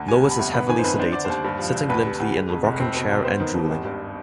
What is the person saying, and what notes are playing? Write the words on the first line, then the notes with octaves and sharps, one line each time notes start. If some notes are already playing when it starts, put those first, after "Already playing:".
Lois is heavily sedated, sitting limply in a rocking chair and drooling.
Already playing: D2
G3 G#5
F2
B5
G1
B3 B5
D#3 G#5
C5
F2 B4
D4 C5
D3 D5
D#2 C5
G2
F3
G2
D2 B4
C3
D2
G#3
F2
F1
C4
B2
B1
B3 C5
D#3
D#2
G#1
G2